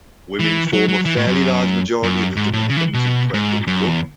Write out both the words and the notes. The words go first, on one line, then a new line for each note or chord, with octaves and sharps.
Women form a fairly large majority of the Dominicans in Puerto Rico.
E3
F#3
F#3
E3
A2
F#2
F#2
G#2
A2
C#3
E3
B2
G#2
F#2
E2